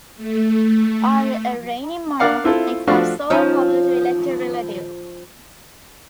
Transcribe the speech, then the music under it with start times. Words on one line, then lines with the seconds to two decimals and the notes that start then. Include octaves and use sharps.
Or a reigning monarch might have sole power to elect a relative.
0.16 A3
2.20 D4 A#4 D5 F5 F#5
2.44 C4 E4 F4 A4
2.87 F3 A3 D4 F#4 F5 C#6
3.30 F3 C#4 D#4